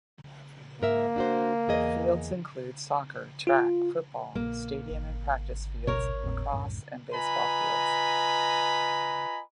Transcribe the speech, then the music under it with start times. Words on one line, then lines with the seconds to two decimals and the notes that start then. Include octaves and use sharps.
The fields include soccer, track, football stadium and practice fields, lacrosse, and baseball fields.
0.82 G#2 A#3 A#4 E5
1.16 D4 F#4 C5
1.68 E2 G#4 D#5
3.47 F4
4.35 A#1 A#3
4.90 G#1
5.87 C#2 B2 A#4 C#5
6.24 D#2 A2 C4
6.52 C2 F#2 A2
7.14 F4 B4 D#5 G#5 A#5 B5